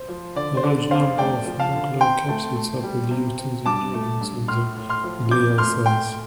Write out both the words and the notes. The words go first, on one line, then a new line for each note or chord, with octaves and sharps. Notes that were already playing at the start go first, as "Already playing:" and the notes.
A large number of nucleocapsids are produced in the neurons and the glial cells.
Already playing: C5
F3
D3 D5
C5
D3 D5
F2 C5 F5
A3 D5 G5
F3
F5 A5
D3
C3 G5 C6
A3
A3
G3
C3
C3
G2 A5 D6
A3
G2
A2 C6 F6
A2
C6 F6
F3
F2 D6 G6
A3 C6 F6
A3 G5 C6